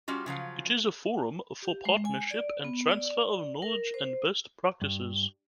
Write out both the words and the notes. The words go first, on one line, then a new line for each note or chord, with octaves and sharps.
It is a forum for partnership and transfer of knowledge and best practices.
G3 C#4 F4 F#4
C#3 F3 F#3 F5
G4
G#3
G#5
D5
B3
D5
A#4
C5
G2